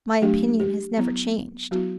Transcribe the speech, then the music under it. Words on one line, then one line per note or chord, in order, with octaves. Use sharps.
My opinion has never changed.'
F#3 A3 D4 G4
G4
F#3 B3 E4
F#3 B3 E4 F#4